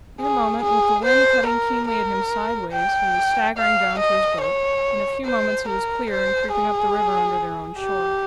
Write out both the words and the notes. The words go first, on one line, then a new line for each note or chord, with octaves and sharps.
In a moment, with the wind cutting keenly at him sideways, he was staggering down to his boat; in a few moments he was clear, and creeping up the river under their own shore.
G#4
G#4
C5
A#4
A#4
G5
F5
D#5
C#5
C5
A#4
C5
G#4
G4